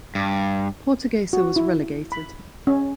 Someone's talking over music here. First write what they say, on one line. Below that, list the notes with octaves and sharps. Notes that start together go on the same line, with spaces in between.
Portuguesa was relegated.
G2
F#4
E4
B5
C#4